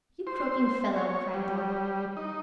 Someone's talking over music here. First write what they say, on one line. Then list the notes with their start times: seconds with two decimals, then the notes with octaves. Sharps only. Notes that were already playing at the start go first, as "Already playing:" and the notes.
"You croaking fellow!" cried Thorpe.
0.27 C5
0.96 C#5
1.34 G3
2.17 D#4